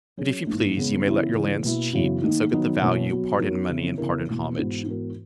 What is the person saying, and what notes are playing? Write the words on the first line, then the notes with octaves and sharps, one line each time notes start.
But if you please you may let your lands cheap, and so get the value, part in money and part in homage.
F#3 C#4 G#4
G#2 E3 A#3 D#4
C#3 G#3 B3
C#3 E3 B3 E4
E2 C#3 G#3
B2 A#3 E4
F#2 C#3 E3 B3 F#4
D#3 A#3 D#4
D#3 F#3 B3 D#4
E2 B2 A#3 C#4 E4
F#3 B3 F#4
F#3 B3 D#4 F#4 A#4
C#3 E3 B3 E4
C#3 E3 B3 E4 A#4
E2 B2 A#3
G#2 E3 B3 F#4
G#2 E3 B3 F#4 A#4